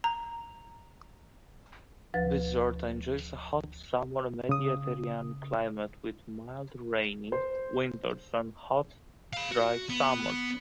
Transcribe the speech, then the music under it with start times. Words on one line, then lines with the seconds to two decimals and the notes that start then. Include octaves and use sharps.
Bizerte enjoys a hot-summer Mediterranean climate, with mild rainy winters and hot dry summers.
0.04 A#5
2.14 D2 F3 B4 A6
4.49 C#3 D#6
7.32 C5
9.33 F5 B5
9.51 F#4
9.90 B3